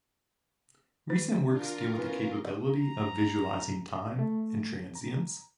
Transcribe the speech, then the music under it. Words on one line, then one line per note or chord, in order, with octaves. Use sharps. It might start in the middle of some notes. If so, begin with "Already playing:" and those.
Recent works deal with the capability of visualizing time and transience.
D#3
D4 F4 A#4
E3 B3 C#4
A#5
A3
A#5